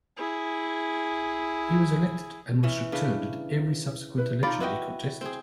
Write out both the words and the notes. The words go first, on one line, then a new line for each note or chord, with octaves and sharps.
He was elected and was returned at every subsequent election he contested.
E4 G#4
E3 C#4
C#3 D4 B4
E4 B4
D#4 F4 D5 B5
E4 F#4 B4 D#5 G5
C4 G#4